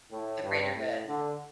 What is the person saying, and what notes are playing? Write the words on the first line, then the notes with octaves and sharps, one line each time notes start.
the greater good.
A2
G2
A2
D3